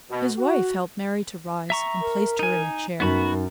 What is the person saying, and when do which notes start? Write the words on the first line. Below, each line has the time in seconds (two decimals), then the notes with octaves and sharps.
His wife helped Mary to rise, and placed her in a chair.
0.10 B2
0.38 F#4
1.70 E5 A#5 C#6
2.01 A#4
2.39 D#4 G#5
3.00 F#2 B3 D#4 F#4 B5